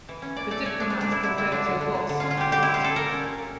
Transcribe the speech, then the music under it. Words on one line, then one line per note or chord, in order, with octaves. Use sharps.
The diplomat Gilberto Bosques helped him.
E3
C#4
A#2 D5
A3 D5
A3 C#5
F3 D4
F3 D4
D4
A#2 E4
D3 E4
G3 E4
D3 D4
D3
D3
D3
D3
C#4 F4
F4
G3 G4
D3 G4
D3 E4
F4
C#4 A4
G3 A#4
C#4
A#2
A#2